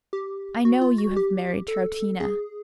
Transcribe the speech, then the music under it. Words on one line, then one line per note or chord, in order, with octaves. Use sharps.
I know you have married Troutina.
G4
F#4
F4
F#4
G4
A4
G#4